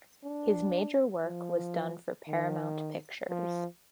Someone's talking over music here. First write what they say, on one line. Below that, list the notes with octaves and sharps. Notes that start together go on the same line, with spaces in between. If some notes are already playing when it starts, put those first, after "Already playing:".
His major work was done for Paramount Pictures.
D4
F3
D#3
F3